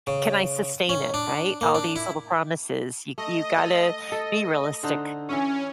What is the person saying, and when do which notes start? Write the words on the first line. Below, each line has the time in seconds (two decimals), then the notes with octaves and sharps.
can I sustain it, right? All these little promises, you you gotta be realistic
0.07 C#3
0.89 C#4
1.14 D4
1.61 A#3
1.75 D4
1.96 E4
3.18 A3 D#5
3.58 A4
4.12 A4
4.83 D3 D#4 C5
5.29 E3 C#4 E4 C#5